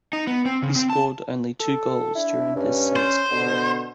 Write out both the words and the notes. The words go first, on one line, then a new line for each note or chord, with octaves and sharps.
He scored only two goals during his Saints career.
D#4
B3
C4
C#3
C4
A5
A4
D4 E4
G2 C#4
C5
B2 D3